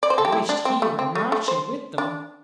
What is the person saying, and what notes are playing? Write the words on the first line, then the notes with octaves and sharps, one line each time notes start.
He wished he were marching with them.
D5
C5
A4
G4
E4
D4
C4
A3
C4
A3
A3
C5
D4